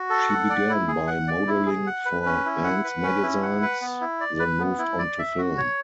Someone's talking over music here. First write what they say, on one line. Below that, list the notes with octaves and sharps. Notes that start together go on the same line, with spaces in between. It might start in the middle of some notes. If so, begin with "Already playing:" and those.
She began by modelling for men's magazines, then moved on to film.
Already playing: F#4
A4
F#5
D5
E4
G#4
F#5
D5
E4
G#4
F#5
B4
C#4
E4
F#5
B4
C#4
E4
F#5
B4
B3
E4
D5
B4
B3
E4
D5
E5
F#4
C#5